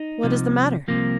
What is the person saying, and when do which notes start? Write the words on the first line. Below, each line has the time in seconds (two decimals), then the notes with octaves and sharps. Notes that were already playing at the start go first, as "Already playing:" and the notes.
'What is the matter?'
Already playing: D#4
0.23 C2 C3 F3
0.88 C2 C3 F3 A#3